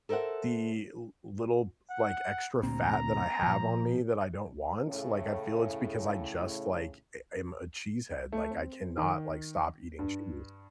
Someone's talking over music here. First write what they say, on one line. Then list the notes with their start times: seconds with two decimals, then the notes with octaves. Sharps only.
the li little like extra fat that I have on me that I don't want, like, I feel it's because I just like, eh, I'm a cheesehead, like I cannot like stop eating cheese.
0.09 A4 A#4 C5 E5 F#5
1.91 F#5
2.63 D2 A#2 C4 A#5
3.43 A#2 F3
4.87 A2 C#3
8.32 A3
8.51 C4
8.97 D#3
9.99 G2